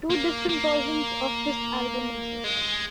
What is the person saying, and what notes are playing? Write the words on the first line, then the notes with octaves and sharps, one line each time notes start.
Two different versions of this album exist.
A#3
A#3
G#3